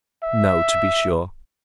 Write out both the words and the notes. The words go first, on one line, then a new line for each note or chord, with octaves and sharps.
No, to be sure!
E5